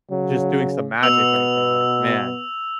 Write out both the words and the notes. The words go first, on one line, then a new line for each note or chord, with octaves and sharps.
just doing some magic right there, like, man.
C#3 F#3
B2 B3 E6 F7